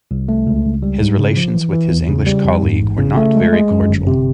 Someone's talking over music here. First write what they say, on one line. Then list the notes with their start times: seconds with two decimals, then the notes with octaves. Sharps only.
His relations with his English colleague were not very cordial.
0.11 C2
0.28 A3
0.47 C#2
0.65 C#2
0.83 G3
1.01 G#2
1.19 C#3
1.37 F3
1.55 E3
1.73 E3
1.91 E2
2.09 C#3
2.27 G3
2.45 F2
2.63 G#2
2.81 A1
2.98 C#3
3.17 A3
3.35 G#3
3.53 G#3
3.71 F#2
3.89 G1
4.07 C3